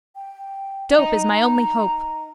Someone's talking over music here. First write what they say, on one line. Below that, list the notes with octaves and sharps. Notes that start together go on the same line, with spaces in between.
Dope is my only hope...
G5
D#4 A#5